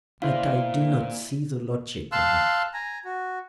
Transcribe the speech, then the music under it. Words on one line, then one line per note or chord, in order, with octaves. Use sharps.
But I do not see the logic of it.
A#2 A#3 E4 F4 C5 D5 F5
F5 A5 C6 E6 F#6
G#5 A#5
F#4